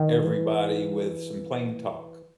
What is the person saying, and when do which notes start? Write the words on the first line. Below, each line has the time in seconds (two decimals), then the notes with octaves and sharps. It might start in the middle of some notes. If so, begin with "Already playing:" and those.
everybody with some plain talk.
Already playing: D#3
0.24 E3